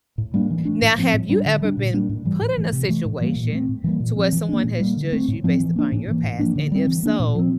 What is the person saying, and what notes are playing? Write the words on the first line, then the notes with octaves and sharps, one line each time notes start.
Now, have you ever been put in a situation to where someone has judged you based upon your past and if so,
A2
G3 A#3 D4
E3
A3 D4
A2
F3 C4
A2
G3 D4
D3
G3 D4
A#2
G3 A#3 D4
A2
E3 G3
A2
E3 A3
C3
E3 A3
A2
E3 G3 A#3
A#2
A3 C4
A2
E3 G3 A#3
A#2
F3 C4
E3
A#3 D4
A#2
G3 A#3
D3
A3 C4
A2
F3 C4
E3
A#3 D4
A2
E3 A#3
A2
F3 A#3 D4
D3
G3 C4
E3
A#3 D4
A#2
F3 C4